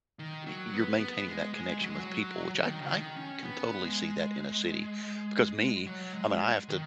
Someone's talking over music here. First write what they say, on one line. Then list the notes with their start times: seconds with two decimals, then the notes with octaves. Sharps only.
y you're maintaining that connection with people, which I c I can totally see that in a city, because me, I mean, I have to
0.19 D#3
0.46 F#3
0.74 B3
1.00 B3
1.28 G#3
1.54 G#3
1.82 F#3
1.90 G#3
1.99 F#3
2.55 F#3
2.62 D#3
2.79 C#3
2.90 D#3
3.17 C#4
3.44 B3
3.84 G#3
5.87 F#3
6.14 G#3
6.69 D#3